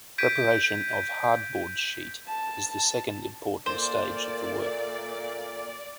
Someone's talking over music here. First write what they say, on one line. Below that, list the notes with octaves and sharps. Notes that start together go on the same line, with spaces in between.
Preparation of hardboard sheet is the second important stage of the work.
G6 G#6 B6 D7 D#7
A5
A#2 A3 A#3 C5 D5